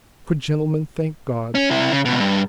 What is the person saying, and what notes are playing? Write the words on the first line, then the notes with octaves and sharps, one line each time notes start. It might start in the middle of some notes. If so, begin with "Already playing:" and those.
Good gentlemen, thank God!
C#4
C3 E4
C#3
C#2 B2
G2